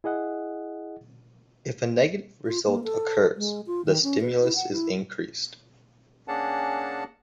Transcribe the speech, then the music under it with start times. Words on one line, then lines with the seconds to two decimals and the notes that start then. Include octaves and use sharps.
If a negative result occurs, the stimulus is increased.
0.04 E4 G#4 D#5 F#5
2.46 F4
2.67 A#3
2.84 A4
3.37 G#3
3.67 F4
3.85 D#3
4.03 C#4
4.21 B4
4.42 E4
4.56 F#5
4.72 E4
6.28 A#3 C#4 D4 G#4 F#5 A5